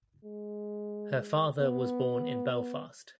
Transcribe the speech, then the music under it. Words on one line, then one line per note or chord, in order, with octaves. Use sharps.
Her father was born in Belfast.
G#3
B3